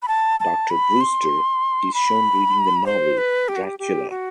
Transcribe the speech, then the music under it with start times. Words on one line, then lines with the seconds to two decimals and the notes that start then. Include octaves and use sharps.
Doctor Brewster is shown reading the novel "Dracula".
0.02 B5
0.08 A5
0.40 A5
0.70 B5
1.01 C6
1.94 B5
2.86 C5
3.18 B4
3.48 G4
3.56 F#4
3.64 G4
3.79 G4
4.10 F#4